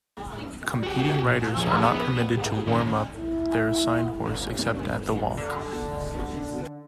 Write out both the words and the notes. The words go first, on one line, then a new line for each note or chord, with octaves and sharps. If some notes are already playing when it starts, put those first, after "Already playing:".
Competing riders are not permitted to warm-up their assigned horse except at the walk.
F#4 G4
A#2
F3 G#4
B3
B1 G#2
D#3 C#4
E4
G1
D3